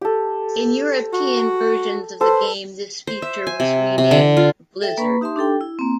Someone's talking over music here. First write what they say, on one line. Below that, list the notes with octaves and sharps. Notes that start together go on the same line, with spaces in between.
In European versions of the game, this feature was renamed Blizzard.
G4 A4
F#4
A4 B4 C5
C5
E5
G#5
C3
C3
D3
F4
A4 E5 G5
A#3 B4 B5 C#6
D#4 G4 E5 A5 C6
D4 G4 A4 G5
E4
A#3 C4